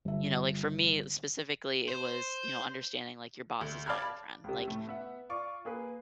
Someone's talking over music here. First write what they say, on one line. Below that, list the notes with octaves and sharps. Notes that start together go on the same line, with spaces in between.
you know, like, for me, specifically, it was, you know, understanding, like, your boss is not your friend, like
G1 E5
C5
D2
D5 F5 A5 B5 F6 G#6
C#2 C3
A2 A3
B3 E5 F#5
F4 D5 C#6 D6
A#3 G#4 B4